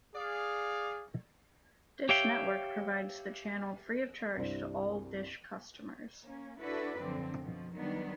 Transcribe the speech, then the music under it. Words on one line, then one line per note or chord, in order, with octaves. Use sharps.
Dish Network provides the channel free of charge to all Dish customers.
G#4 D5 F5
G4 C#5 E5 F5 G5
C2 G2 E4 C5 D5
A#3 C#4
D4 E4 F#4 A4 B4 D5
F#2 D3 F3 C4
B2 F3
D#3 F#3 G3 B3 D4 D#4